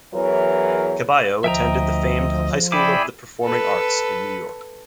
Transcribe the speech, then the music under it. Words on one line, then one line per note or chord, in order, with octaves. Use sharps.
Ceballo attended the famed High School of the Performing Arts in New York.
E2 E3 F#3 A#4 C#5
D2 F3 D#5 E5 G5 A#5
E4 G#4 D5 G5 B5 D6
A4 B4